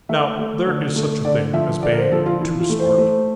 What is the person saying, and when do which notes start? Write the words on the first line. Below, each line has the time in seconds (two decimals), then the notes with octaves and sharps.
Now there is such a thing as being too smart.
0.09 A3 E5
0.39 A3
0.67 D3
0.96 A3
1.25 D3 D5
1.53 F3 E5
1.83 D3 D5
1.93 A#4
1.98 C5
2.12 F3 A4
2.26 F4
2.40 E3 E4
2.60 F4
2.69 A3
2.79 C5
2.98 A3